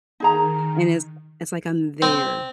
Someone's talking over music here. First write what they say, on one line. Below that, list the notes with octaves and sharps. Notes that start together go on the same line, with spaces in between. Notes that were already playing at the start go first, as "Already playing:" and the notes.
and it's it's like I'm there
D#3 D#4 G#4 A#5
C4